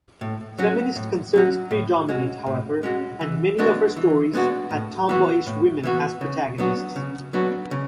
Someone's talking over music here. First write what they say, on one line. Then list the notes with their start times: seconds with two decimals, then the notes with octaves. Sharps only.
Feminist concerns predominate, however, and many of her stories had tomboyish women as protagonists.
0.21 A2
0.58 F#3 C#4 F#4
0.95 A2
1.34 F#3 C#4 F#4
1.71 A2
2.09 G#3 C#4 F#4
2.46 A2
2.83 G#3 C#4 F#4
3.21 E3
3.58 G#3 B3 D4 F#4
3.96 E3
4.33 G#3 B3 D4 F#4
4.71 A2
5.09 E3 B3 F#4
5.46 A2
5.83 E3 B3 F#4
6.21 C#3
6.58 F#3 B3 D4 F#4
6.96 C#3
7.33 F#3 B3 D4 F#4
7.71 C#3